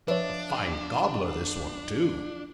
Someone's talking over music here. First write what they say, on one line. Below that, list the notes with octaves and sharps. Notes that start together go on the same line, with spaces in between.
"A fine gobbler this one, too!"
F3 D4 B4 C#5 E5